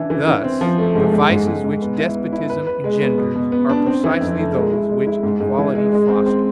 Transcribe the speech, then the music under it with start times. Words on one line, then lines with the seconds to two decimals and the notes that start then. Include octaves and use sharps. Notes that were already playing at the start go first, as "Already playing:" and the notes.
Thus the vices which despotism engenders are precisely those which equality fosters.
Already playing: E3 D4
0.10 E3
0.27 E3
0.44 C4
0.61 F3
0.78 A3
0.95 G#2
1.13 G#2
1.29 G#2
1.47 G#2
1.64 G#2
1.81 B3
1.98 E4
2.15 B3
2.33 E4
2.50 B4
2.67 B4
2.84 G#3
3.01 B3
3.18 B2
3.35 B2
3.52 B3
3.69 D4
3.86 C4
4.04 E3
4.21 F2
4.38 A3
4.55 G#3
4.72 E4
4.89 G#3
5.06 E4
5.23 G#2
5.40 G#2
5.58 E3
5.75 G#3
5.92 G#3
6.09 C4
6.26 C4